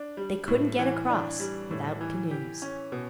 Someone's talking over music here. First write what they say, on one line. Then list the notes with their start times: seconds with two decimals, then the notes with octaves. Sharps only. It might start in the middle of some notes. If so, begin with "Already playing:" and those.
They couldn't get across without canoes.
Already playing: D4
0.17 G3
0.48 A2
0.79 E3
1.10 D4
1.40 G3
1.71 A2
2.01 E3
2.31 G4
2.62 C#4
2.92 B2